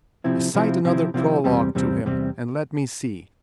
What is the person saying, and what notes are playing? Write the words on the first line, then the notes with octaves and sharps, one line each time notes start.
Recite another prologue to him and let me see.
C3 F3 C4 E4
C3 F3 C4 E4
C3 F3 C4 E4
C3 F3 C4 E4
E2 C3 G3 C4
E2 C3 G3 C4
E2 C3 G3 C4